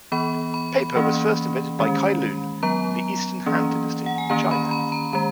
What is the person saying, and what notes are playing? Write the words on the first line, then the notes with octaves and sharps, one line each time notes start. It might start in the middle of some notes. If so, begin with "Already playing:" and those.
Paper was first invented by Cai Lun in the Eastern Han Dynasty in China.
E3 B3 B5
B5
E3 A#3 C#4
D#3 G#3 C#4
F#3 B3 A#5
E3 A#3 C#4
F#5
G#5
D#3 A#3 C#4 A#5
B5
B5
A#5
D#3 G#3 A#5